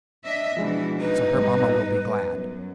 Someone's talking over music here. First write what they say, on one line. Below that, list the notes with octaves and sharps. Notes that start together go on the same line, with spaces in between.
So, her mamma will be glad.
D4 D#5 E5
B2 E3 F3 G#3 D4
D#4 B4
G#2 G3 B3
F#2